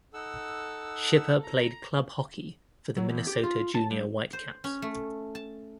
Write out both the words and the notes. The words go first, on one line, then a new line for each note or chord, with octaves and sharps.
Schipper played club hockey for the Minnesota Junior Whitecaps.
D#4 A4 F#5 E6
A#5
F#3
E2
G4
F4
A5
G2
C5
C#4
A3
A5